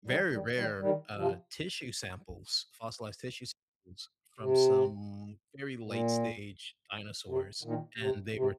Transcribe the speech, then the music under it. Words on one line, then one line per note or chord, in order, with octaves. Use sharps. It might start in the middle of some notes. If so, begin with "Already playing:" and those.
very rare, uh, tissue samples, fossilized tissue samples from some very late-stage dinosaurs, and they were
D#3 G3
D#3 G3
D#3 G3
D#3 G3
C3 F3
C3
A#2
C3
A#2 D#3
C3
C3